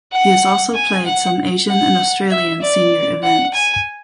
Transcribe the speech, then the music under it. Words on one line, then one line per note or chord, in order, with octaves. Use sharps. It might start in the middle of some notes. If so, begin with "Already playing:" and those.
He has also played some Asian and Australian senior events.
F#5
G#5
F#5
F#5
E5
D5
F#5
G#5